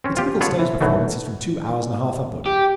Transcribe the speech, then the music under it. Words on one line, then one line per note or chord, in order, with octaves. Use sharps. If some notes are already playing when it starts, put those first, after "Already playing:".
The typical stage performance is from two hours and a half upward.
C4 C#4
F4 G4
B3 F4 A4 C#5 F5 F#5
E3
B1 B2 E3 F#3 A3
G4